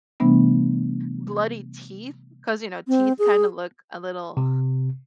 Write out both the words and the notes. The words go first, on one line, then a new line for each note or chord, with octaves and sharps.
bloody teeth 'cause, you know, teeth kinda look a little
C3 E3 G3 A3 B3 D4
C4
G#4
C3